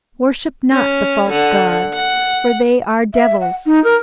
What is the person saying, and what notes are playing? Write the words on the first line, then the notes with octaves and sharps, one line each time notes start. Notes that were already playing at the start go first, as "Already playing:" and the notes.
Worship not the false gods, for they are devils.
C#4
D3 F#5
F#5
E5
F#5
D#4
A#4